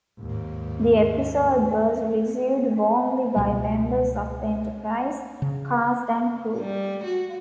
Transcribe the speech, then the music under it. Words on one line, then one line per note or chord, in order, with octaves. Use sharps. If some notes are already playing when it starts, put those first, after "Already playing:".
The episode was received warmly by members of the "Enterprise" cast and crew.
D#2 G#2
C#2 B2 G3 G#3
C#3
G3
F#4